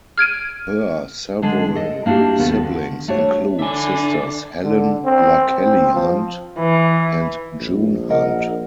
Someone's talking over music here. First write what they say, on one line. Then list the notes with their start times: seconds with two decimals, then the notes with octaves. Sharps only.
Her several siblings include sisters Helen LaKelly Hunt and June Hunt.
0.18 F6 G#6 D7 D#7
1.42 D3 G#3 D4
1.75 A4 D#5
2.06 A#3 D4 E4 F#4 G4
2.38 D#2 B3 F#4 A4
2.63 D3
3.08 A3 D4 F#4 C#5
3.59 D3 D4 E5 G#5
4.64 D3
5.05 C4
5.62 C4
5.94 F3
6.59 E3
7.60 A#1
8.10 A#4 D#5 F#5